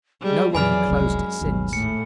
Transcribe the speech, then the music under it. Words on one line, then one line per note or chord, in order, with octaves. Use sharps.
No one had closed it since.
G3 G#3 G#4
F2 E3 F#3 G#4 D5 G#5 B5 F6
F1 C2 F#2 G#3
G#1 D#2 B2 F#3
A2 A3 C#7